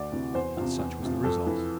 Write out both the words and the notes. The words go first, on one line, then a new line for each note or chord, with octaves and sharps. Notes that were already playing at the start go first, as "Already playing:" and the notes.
And such was the result.
Already playing: D2 D5
C3 E3
E2 C5
C3 F3
E2
C3 F3
F2 A4
E3